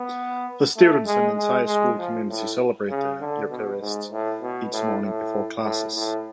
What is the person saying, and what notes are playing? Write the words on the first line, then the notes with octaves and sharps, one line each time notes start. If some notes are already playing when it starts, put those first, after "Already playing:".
The students and entire school community celebrate the Eucharist each morning before classes.
Already playing: B3
A3
G#3
G#3
G#3
F3
A2
C#3
D3
B2
G#2
A2
B2
A2
A2
A2
A2